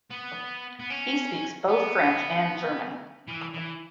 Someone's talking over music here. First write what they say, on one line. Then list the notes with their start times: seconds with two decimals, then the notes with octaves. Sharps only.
He speaks both French and German.
0.10 B3
0.80 B3
0.90 C#4
1.69 B3
3.28 E3
3.54 E3